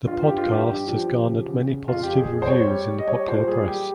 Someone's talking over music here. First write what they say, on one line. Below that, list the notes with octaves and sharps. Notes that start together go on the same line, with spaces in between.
The podcast has garnered many positive reviews in the popular press.
G2 F4
G4
G2
F4
G2 G4
G2 G4
F3
F3
C#3
C#3
C#3
F2 F4
F2 G4
G#4
F2
G#4
C5
G3 C#5
G3
G3
D#5
G3 C#5
A#2 C5
G3 G#4
G3 G4